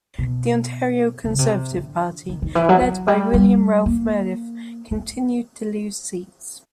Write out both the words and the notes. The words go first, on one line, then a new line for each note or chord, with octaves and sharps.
The Ontario Conservative Party, led by William Ralph Meredith, continued to lose seats.
B2
C3
C#3
C3
D3
D#3
D#3
E3
F#3
F#3
G3
G3
A#3
A3